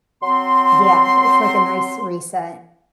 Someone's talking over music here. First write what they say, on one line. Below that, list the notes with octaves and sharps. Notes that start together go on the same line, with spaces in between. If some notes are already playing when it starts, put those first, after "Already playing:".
Yeah, it's, like, a nice reset
F#3 C4 C6